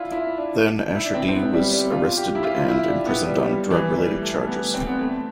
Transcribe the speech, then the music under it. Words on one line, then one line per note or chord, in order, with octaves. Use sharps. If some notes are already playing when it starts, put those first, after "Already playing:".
Then Asher D was arrested and imprisoned on drug related charges.
Already playing: D4 E4 F4
E4
D4
E4
D4
C4
C4
B3
G3
G3
F4
G4
E4
F4
E4
D4
B3
G3
G3
E3
G3
A3
B3
C4
B3
A3